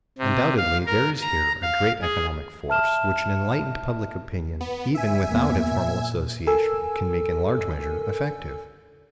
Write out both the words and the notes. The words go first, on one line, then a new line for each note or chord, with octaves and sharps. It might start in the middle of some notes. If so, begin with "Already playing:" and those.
Undoubtedly there is here a great economic force which an enlightened public opinion, even without a formal association, can make in large measure effective.
C3
F5
A#4
A#5
F5
G#4
E5 A5 F6 E7
B3
E5 G#5
E2 A#3 B3
A#2
A4 A#4 G#5 E6